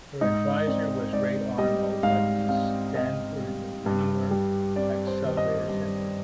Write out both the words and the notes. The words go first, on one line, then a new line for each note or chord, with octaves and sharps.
Her advisor was Ray Arnold at the Stanford Linear Accelerator Center.
G#2 D#4
C4 D5
G#2 D5
G3 D#5
G#2 F5
C4 F5
G#2 D#5
G3
G2
G3
C4 D5
C5
D#3
D#5
G2